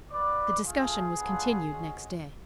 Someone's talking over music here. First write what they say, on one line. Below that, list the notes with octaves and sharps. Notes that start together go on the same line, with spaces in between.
The discussion was continued next day.
B3 F4 B4 D5
A3 F4 G#4
B3 D4 F4
G#3 C#4 F#4